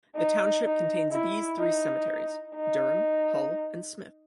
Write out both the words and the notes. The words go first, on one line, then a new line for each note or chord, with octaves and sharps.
The township contains these three cemeteries: Durham, Hull and Smith.
D#4
D#4
E4
D#4
D#4